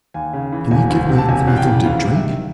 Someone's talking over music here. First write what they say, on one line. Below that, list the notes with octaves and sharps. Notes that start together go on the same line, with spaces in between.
'Can you give me anything to drink?'
D#2 G#5
C#3
E3
E1 G#5
D2
C3
A5
E1 G#5
E2
G5
C#3
D2 F5
C3
E5
D#3